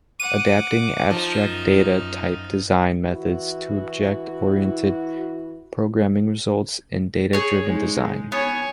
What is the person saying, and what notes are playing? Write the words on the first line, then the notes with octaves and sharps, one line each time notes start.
Adapting abstract data type design methods to object-oriented programming results in a data-driven design.
F#5 D6 D#7
F3 D#4
F#2
E3 E4 F#4
G#4 C#5
G#3 D#4
B3 C#5 G#5